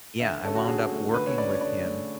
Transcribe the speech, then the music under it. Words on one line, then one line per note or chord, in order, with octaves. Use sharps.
Yeah, I wound up working with him,
D3 E5
C#4 A4
F#4
D3 G#4
A3
D3 B4
C#5
C#4 D5
C#5
D3 D5
A3